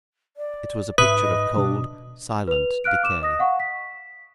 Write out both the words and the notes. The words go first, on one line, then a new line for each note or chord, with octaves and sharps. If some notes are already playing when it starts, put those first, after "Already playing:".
It was a picture of cold, silent decay.
D5
G#2 B4 E5 D#6
D#5
B2 D4
B4 F7
F5 F6 F#6 D7
D6 E7
D#5 D#6 A#6
F5 F#5 C#6
B6